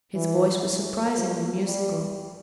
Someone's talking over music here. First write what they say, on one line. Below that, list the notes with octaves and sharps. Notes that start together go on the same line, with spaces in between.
His voice was surprisingly musical.
E3
F3
G3